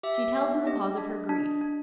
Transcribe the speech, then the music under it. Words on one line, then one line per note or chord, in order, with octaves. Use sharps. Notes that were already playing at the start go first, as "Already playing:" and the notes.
She tells him the cause of her grief.
G4 E5
B3
G4 D#5
D4
D4
D4